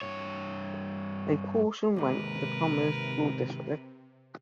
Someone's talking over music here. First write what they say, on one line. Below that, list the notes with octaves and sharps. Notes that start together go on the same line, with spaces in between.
A portion went to the Commerce school district.
G2 C#5
D#2 G#2 C3 A#4 B4